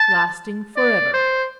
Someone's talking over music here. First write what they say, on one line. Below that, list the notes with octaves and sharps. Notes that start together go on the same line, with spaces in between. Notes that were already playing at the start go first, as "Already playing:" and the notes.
Lasting forever.
Already playing: A5
D5
C5